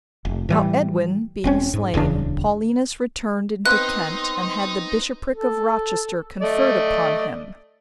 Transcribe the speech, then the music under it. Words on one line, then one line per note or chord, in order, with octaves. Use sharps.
How Edwin being slain, Paulinus returned into Kent, and had the bishopric of Rochester conferred upon him.
F1
A2 E3 G3
E1 C4 C#4
G#2
D1 E2 C#3 D4
B3 C4 D#4 B4 D#5 C6 F#6
A4
A3 D5 D#5